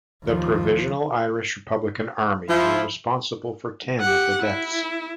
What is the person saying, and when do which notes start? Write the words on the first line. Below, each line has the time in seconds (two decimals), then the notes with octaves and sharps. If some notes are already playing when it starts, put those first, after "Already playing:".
The Provisional Irish Republican Army were responsible for ten of the deaths.
0.24 D#2 F3
2.49 F3 E4
4.00 G4 F#5
4.41 E4